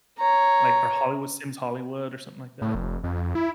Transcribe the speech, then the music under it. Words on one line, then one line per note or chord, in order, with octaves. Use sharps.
Like a Hollywood Sims Hollywood or something like that?
C#5 A#5
A2
F1
F2
E4